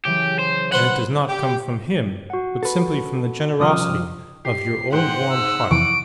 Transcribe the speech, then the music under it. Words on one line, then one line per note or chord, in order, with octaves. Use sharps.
And it does not come from him but simply from the generosity of your own warm heart.
C#3 E3 F#3 G4
C5
F#4 B4 C5 F#5 B5
G4
F#4 F#5
A4 B4
C2 C#3 F3 D6 D#6 F6
G4 C7
G#2 C5 F#5 G5 F#6
E6
F2 C3 E3 C#6 D6 D7